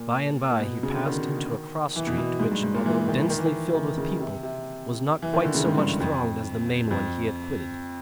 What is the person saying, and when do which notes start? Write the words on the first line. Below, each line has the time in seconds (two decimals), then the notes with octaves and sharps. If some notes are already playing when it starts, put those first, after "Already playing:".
By and bye he passed into a cross street, which, although densely filled with people, was not quite so much thronged as the main one he had quitted.
Already playing: A#2
0.50 A#2
0.60 B2
0.83 C#3
0.94 D3
1.06 D#3
1.96 E3
2.07 B2
2.18 B2
2.40 G#2
2.52 G2
2.63 G#2
2.74 A#2
2.86 E3
3.08 D#3
3.30 D#3
3.38 E3
3.46 D#3
3.71 E3
3.75 D#3
3.98 C#3
4.20 C3
4.43 C3
5.22 E3
5.34 D#3
5.45 D3
5.55 C#3
5.66 G#2
5.78 G2
6.00 F2
6.91 F2